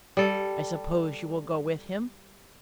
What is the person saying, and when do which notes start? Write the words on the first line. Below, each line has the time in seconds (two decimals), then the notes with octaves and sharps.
"I suppose you will go with him?"
0.17 G3 A4